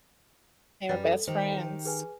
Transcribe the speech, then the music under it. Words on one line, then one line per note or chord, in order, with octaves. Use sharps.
They were best friends.
F#2 G3 B4 G5 A6
A4
D#3 G4 C5
G#4 B4 G#5